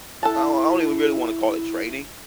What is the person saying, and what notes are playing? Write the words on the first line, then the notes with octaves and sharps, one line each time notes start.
I don't I don't even really wanna call it training,
E4 A4 F#5 A5